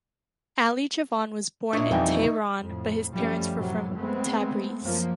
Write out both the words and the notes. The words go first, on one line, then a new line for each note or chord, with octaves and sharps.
Ali Javan was born in Tehran, but his parents were from Tabriz.
G2 A#2 D4 C#5 D#5 E5
F2 B2 E3 G3 D#4 G5 G#5
F2 A2
F#2 F3 G3 A3 C#4
F#2 A2 C3 F#3 G3
G#3 A3 B3 C4
F#2 F3 A#3